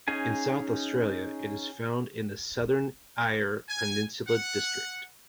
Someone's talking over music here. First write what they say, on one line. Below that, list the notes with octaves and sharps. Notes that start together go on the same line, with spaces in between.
In South Australia it is found in the southern Eyre Peninsula district.
C#4 D#4 G#4 G#5
G#5
F#5